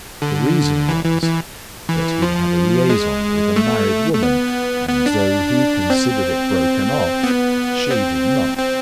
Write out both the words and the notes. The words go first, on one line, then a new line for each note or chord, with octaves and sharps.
The reason was that he had a liaison with a married woman, and, though he considered it broken off, she did not.
D3
E3
E3
E3
E3
F3
G#3
A3
A3
B3
B3
D4
C4
B3
C4
C4